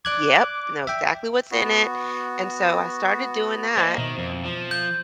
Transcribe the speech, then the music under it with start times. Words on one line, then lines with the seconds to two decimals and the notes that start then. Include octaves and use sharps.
Yep, know exactly what's in it, and so I started doing that,
0.05 D5 D6 F#6 G#6
0.87 E5 G5
1.51 B3 F#4
3.77 A#3 C5 D#5 A5
3.98 B2 D#3 C5 E5
4.18 F2
4.45 F3
4.71 G6